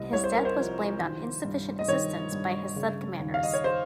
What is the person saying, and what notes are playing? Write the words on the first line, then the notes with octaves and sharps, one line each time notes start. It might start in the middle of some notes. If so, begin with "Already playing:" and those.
His death was blamed on insufficient assistance by his subcommanders.
Already playing: C2 C3 D#5
C2 C#5
C5
A#4
C5
F3
D#3
G2
D#5
D#3 C#5
G2
C#3
D#2
F5
D#5
C#5
C5